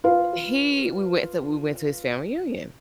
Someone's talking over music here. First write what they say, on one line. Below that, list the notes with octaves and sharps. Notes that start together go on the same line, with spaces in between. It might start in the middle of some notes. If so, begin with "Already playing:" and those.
he we went to we went to his family reunion.
F4 B4 F5